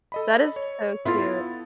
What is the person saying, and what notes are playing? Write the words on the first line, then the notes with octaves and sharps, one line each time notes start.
That is so cute.
A4 D#5 B5
C#5
B3 E4 F4 A4 A6